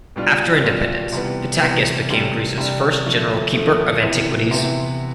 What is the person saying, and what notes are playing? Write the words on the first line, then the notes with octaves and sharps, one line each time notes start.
After independence, Pittakis became Greece's first General Keeper of Antiquities.
B2 G3 D4 F4
B2 G3 D4 F4
C3 E3 G3 B3
C3 E3 G3 B3
C3 G3 D4
C3 G3 D4
D3 F3 A3
D3 F3 A3
C3 E3 B3 E4
C3 E3 B3 E4